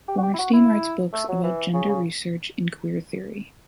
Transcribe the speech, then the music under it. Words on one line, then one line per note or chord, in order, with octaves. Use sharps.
Bornstein writes books about gender research and queer theory.
G4
F#4
G4
E4
F#4
E4
A3
F#3
E3
C#3
C#3